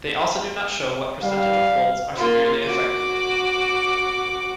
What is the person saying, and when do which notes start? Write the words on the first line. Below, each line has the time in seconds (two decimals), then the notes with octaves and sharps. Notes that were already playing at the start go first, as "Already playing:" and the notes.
They also do not show what percentage of Folds are severely affected.
1.24 G3 F5
2.17 A#3 F4
2.67 F#4 D6